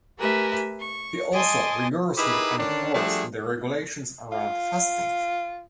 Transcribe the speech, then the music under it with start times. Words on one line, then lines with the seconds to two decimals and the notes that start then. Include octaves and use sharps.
He also rigorously enforced the regulations around fasting.
0.17 A3 G4 A#4 B4 E5 G#5
0.78 C#6
1.33 D#5 G#5 A5 C6 D6 D#6
2.17 D#4 E4 G4 G#4 A#4 B4
2.58 D3 D#3 C#4 D4
2.93 F3 G3 A3 D4 F#4 G#4
4.32 F4